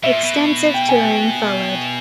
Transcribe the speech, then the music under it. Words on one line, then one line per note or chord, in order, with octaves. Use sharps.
Extensive touring followed.
B2 E5
A#2
B2
G5
G#5
G5